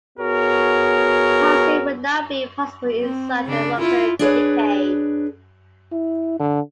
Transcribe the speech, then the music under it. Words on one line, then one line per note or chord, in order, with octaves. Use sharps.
Passing would now be possible inside the longer chicane.
B3 F#4 G#4 A#4 C#5
C4
C#3 D4
E4 F4
D4 G#4 B4 C#5
E4
D3